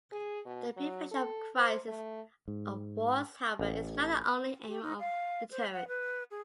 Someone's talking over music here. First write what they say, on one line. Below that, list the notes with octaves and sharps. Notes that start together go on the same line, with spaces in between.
The prevention of crises of wars however is not the only aim of deterrence.
G#4
B2
F#3
A4
C5
A3
G#2
A1
G4
D#4
F5
C5
F#5
B4
G#4